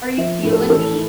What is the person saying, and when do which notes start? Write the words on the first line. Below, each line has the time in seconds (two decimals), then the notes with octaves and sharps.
Are You Feelin' Me?
0.17 F3 E5
0.43 A2 A#4
0.52 A4
0.61 G4
0.69 E3 A4